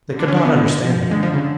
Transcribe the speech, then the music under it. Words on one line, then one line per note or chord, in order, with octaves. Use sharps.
They could not understand him.
D3
D4
C#4
D4
B3
F3
D3 G#3
F3
C#3